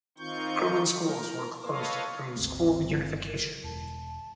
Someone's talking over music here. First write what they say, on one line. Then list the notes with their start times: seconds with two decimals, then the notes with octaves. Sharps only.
Kirwin schools were closed through school unification.
0.18 D#3 C4 D#4 F4 C#6 G6
0.99 A#4
1.66 A4 B4 C#5 D#5 F5
2.36 G#1 D2 A3 C4
2.80 G1
3.27 A#4
3.64 E1 A5